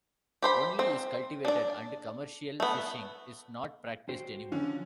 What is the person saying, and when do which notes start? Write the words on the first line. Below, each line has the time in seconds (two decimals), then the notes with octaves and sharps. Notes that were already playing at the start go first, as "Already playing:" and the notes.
Only is cultivated and commercial fishing is not practised anymore.
0.42 G4 C5 B5
0.79 C4
1.45 D4 D5
2.60 A3 B3
4.09 F#4 G4 C5
4.52 D3 F3 C#4